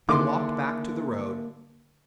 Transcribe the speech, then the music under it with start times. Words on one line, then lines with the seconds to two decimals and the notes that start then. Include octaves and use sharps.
They walked back to the road.
0.09 D3 D#3 A#3 E4 G#4 C6 D6